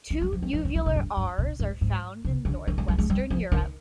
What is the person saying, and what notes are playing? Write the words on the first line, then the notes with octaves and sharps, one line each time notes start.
Two uvular Rs are found in north-western Europe.
D#3
G3
F3
G3
F3
D#3
D#3
B2
G2
G2
B2
G#2
G#2
C3
D3
D#3
G3
G3
G#3
G3
F3
D#3